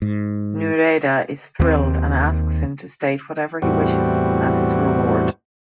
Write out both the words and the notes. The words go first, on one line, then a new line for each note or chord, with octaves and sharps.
Nouredda is thrilled and asks him to state whatever he wishes as his reward.
G#2
D#2 A3 C4
E2 A2 G3 C4 F#4